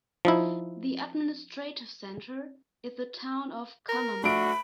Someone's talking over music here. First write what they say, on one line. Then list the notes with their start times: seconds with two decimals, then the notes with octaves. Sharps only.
The administrative centre is the town of Cunnamulla.
0.25 F3 D#4 E4
3.89 A#4
4.24 A3 D4 F#4 B5 D7